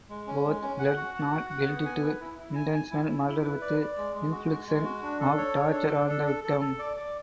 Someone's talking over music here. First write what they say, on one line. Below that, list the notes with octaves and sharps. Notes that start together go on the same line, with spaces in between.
Both pled not guilty to intentional murder with infliction of torture on the victim.
G#3
C#4
G#3
C#4
F#5
F#4
F#5
F#4
F#5
B3
G#5
B4
E4
E4
G#5
G#5
E4
E4
E4
B4
D5
D5
G#3
G#3
F#4
G#3
G#3
F#4
D4
A4
C#5
D4
A4
D4
A4
A4
A4
A4
D5
D5